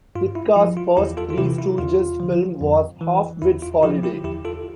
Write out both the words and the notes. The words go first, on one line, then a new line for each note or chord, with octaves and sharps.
Sitka's first Three Stooges' film was "Half-Wits Holiday".
G2 F4
E4
F3 E4
F4
E2 E4 G4
F4 A4
F4
C3 E3 E4 G4
E4
E2 F4
D3 F3
F2
E3
E2 E4
F4
D3 F3 E4 G4
E4 G4
E2 E4 G4
F4 A4